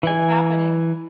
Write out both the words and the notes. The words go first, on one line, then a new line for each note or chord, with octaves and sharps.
It's happening.
E3 G#5